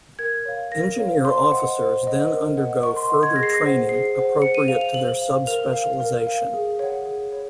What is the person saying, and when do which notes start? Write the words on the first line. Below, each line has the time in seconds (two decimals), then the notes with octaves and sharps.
Engineer Officers then undergo further training appropriate to their sub-specialisation.
0.19 A#4 G#6
0.45 C#5 F5
0.72 A#4 A#6
0.98 C#5 F5
1.25 C5 C6
1.52 D#5 F#5
1.78 C5
2.03 D#5 F#5
2.30 A#4
2.57 D#5 F#5
2.83 A#4 C#6
2.96 C6
3.10 D#5 F#5
3.23 G#6
3.36 G#4 A#6
3.43 C7
3.50 A#6
3.62 C5 F#5
3.89 G#4 C7
4.16 C5 F#5
4.42 C5 C#7
4.55 D#7
4.68 F5 F7
4.81 F7
4.94 C5 F#7
5.21 F5
5.47 A#4 F7
5.73 F5
6.00 A#4
6.27 F5
6.53 G#4
6.79 C#5 F#5
7.06 G#4
7.32 C#5